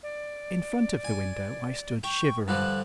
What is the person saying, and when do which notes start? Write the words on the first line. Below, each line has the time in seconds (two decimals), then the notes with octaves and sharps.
In front of the window I stood shivering.
0.03 D5
1.04 G#5
2.03 G5 C#6
2.48 G2 D3 F3 F#6